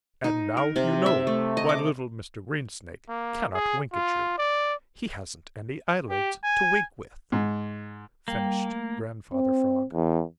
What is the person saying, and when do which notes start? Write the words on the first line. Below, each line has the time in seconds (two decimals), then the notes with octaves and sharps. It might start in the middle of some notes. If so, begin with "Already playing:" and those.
"And now you know why little Mr. Greensnake cannot wink at you; he hasn't any eyelids to wink with" finished Grandfather Frog.
0.24 D#4
0.57 A#4
0.76 C3
1.06 E5
1.27 A3
1.57 D#5
1.69 D6
3.09 A#3
3.54 G#4
3.93 F4
4.38 D5
6.10 G4
6.44 G#5
7.32 G#2
8.28 G3 A#3 G5
8.66 A3
9.34 C4
9.94 E2